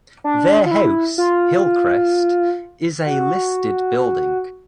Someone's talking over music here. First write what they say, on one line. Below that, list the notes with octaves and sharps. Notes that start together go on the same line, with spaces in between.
Their house, Hillcrest, is a listed building.
D4
F4
E4
F4
F#4